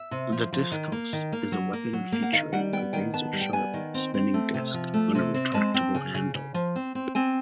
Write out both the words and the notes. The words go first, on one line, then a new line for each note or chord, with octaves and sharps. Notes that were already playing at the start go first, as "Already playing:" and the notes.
The diskos is a weapon featuring a razor-sharp spinning disk on a retractable handle.
Already playing: E5
C3
F3
F3
D#3
A#3
D#3
A#3
F#3
A#3
F#3
A#3
F#5
D#3 F5
G3 F#5
B3 G5
D#3 G5
B3 A5
G3
G5
B3 G#5
D#3
C4
C4
A3
C3
F3
A3
C3
C4
G#3 A5
C4
C#3
C#3
C#3
F3
C4
C4
C4 G#5